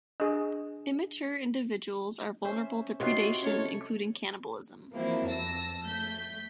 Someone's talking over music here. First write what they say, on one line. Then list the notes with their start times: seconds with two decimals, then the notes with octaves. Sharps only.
Immature individuals are vulnerable to predation, including cannibalism.
0.20 D4 G#4 D#5
2.44 C#4 C5 E5
3.00 C3 D#4 F4 F#4 C#5 F#5 C6
3.42 C#4 A4 C#5
4.92 F3 F#3 A#3 C4 E4
5.26 F2 A5 E6 A#6
5.83 A3 G6 B6